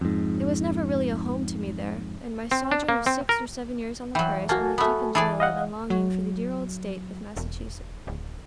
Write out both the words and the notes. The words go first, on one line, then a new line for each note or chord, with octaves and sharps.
It was never really home to me there, and my sojourn of six or seven years on the prairies only deepened my love and longing for the dear old State of Massachusetts.
F2 G#2
C4
D4
A#3
C4
A#4
E3 F#3 G5
A#3 F#4 G#5 A5
A3 B3
E3 G#4 D5 A5
D#5 F5 F#5
F#3
E1
D1